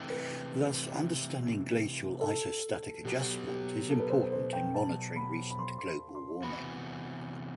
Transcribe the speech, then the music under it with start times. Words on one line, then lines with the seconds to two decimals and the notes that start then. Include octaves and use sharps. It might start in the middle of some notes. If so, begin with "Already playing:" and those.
Thus understanding glacial isostatic adjustment is important in monitoring recent global warming.
Already playing: C3 E3 A3 C4
0.10 B4
2.21 A4
3.05 B2 F#3 B3 G4
3.47 G4
3.90 A4
4.00 B4
4.10 C5
4.32 C5
4.53 G5
4.74 A5
5.16 B5
5.50 B5
5.59 C6
5.79 C6
5.87 B5
6.15 C6
6.43 C3 E3 B3 F#4 B5